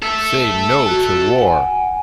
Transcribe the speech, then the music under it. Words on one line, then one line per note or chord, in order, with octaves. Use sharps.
Say No To War!
A4 E5
F#4
F#5 G#5